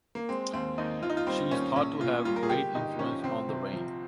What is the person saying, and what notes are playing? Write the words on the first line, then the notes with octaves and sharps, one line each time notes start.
She is thought to have great influence on the rain.
A#3
G#3 C4
D#2 C4
D#2 D#4
D#2 F4
D#4
F4
G3 C4
D#2 C#4
A#1 C#4
A#2 F4
G3 F4
A#4
G#4
G1 G4
G1 D#4
F3 C#4
C2 C4
C3
F3